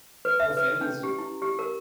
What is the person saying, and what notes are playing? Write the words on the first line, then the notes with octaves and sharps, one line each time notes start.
no family is a
B4
E5
B4
C#4
G4
E4
G4
A#4